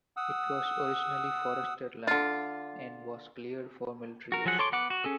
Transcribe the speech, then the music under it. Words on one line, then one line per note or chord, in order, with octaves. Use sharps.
It was originally forested land, and was cleared for military use.
F#5 D#6 E6
D3 F4
F#4 A#4
F3 F#3 F#4 G#4 F#5
A4 C#5 C6 D6
B3 F#5 D6
F#4
C#4 G#4 A4